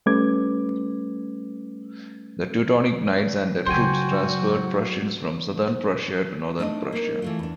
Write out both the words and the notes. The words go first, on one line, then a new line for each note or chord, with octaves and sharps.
The Teutonic Knights and their troops transferred Prussians from southern Prussia to northern Prussia.
G3 A3 C#4 B4 D6 G#6
F#2 C#3 F#3 F#4 C5 G5 G#5
A3 D4 D#4 D#5
A#3 D#4
E3 A3 F4
E2 D4